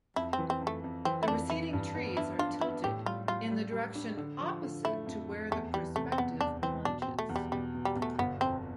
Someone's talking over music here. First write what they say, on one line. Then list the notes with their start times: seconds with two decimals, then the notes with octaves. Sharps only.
The receding trees are tilted in the direction opposite to where the perspective plunges.
0.16 F2 E4
0.33 E3 C4
0.50 C4
0.61 F2
0.67 A3
0.84 F2
1.05 E3 C4
1.23 E4
1.28 F2 D4
1.50 E3 E4
1.73 G2
1.95 B3
2.17 D4 E4
2.39 D4 F4
2.61 B3 E4
2.84 A2 G4
3.06 G3 F4
3.28 G3 F4
3.50 G3
3.72 G3
3.95 D4
4.17 D3
4.40 F3
4.62 D3
4.85 A3 E4
5.06 F2
5.29 F2
5.51 E2 A3
5.74 E3 G3
5.96 C3 A3
6.12 C4
6.18 E2 B3
6.41 E2 D4
6.62 E3 C4
6.85 B2 D4
7.02 C4
7.07 B2
7.19 A3
7.29 E2
7.36 G3
7.52 B2 G3
7.75 B2
7.85 G3
7.96 B2
8.02 A3
8.19 G1 B3
8.41 F2 C4